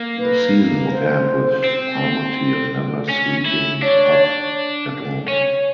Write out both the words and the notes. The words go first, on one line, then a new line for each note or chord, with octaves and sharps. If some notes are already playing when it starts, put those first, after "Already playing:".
The season would end with Palmateer never suiting up at all.
Already playing: A#3
B4
C5
C4
C#4
E4
D4 C#5
C#4 C#5